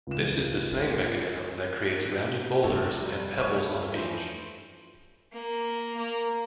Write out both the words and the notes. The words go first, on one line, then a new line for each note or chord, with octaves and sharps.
This is the same mechanism that creates rounded boulders and pebbles on a beach.
C#2 E7
F2 C3 A3 A4 C#5
G3
E2 B4 C#5 E5
E3 F3 A3 B4 C5
A#3
A#3